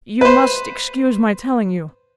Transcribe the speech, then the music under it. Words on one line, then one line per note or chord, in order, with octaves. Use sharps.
'You must excuse my telling you.
B4 C5